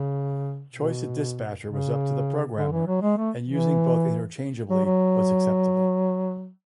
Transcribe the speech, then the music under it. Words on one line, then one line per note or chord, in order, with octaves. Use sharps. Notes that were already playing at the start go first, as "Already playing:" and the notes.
Choice of dispatcher was up to the programmer, and using both interchangeably was acceptable.
Already playing: C#3
B2
C#3
D3
E3
F#3
G#3
A3
E3
F#3
F#3